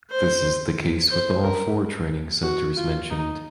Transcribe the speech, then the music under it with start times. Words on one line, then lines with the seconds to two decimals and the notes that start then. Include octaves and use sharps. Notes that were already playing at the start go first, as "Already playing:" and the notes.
This is the case with all four training centers mentioned.
0.11 C5
1.10 C5
1.44 A#4
2.43 F#4
2.77 F4
3.10 D#4